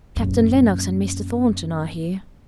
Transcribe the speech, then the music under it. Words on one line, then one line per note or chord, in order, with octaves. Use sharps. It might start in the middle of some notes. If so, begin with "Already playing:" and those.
Captain Lennox and Mr. Thornton are here.
F#2 A#2